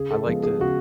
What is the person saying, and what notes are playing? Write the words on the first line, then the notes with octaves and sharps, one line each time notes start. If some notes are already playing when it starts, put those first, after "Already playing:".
I like to
Already playing: C#3 G#4
A4
F3 G#3 B3 A4
G#4
C#3 F#4